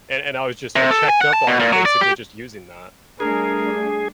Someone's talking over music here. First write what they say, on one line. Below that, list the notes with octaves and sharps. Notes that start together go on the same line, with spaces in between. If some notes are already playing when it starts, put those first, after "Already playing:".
and and I was just I checked up on him basically just using that
C3
A4
G#5
F#5
A5
B2
A#2
F#3
D5
G4
G3 A3 D4 G#4 A#4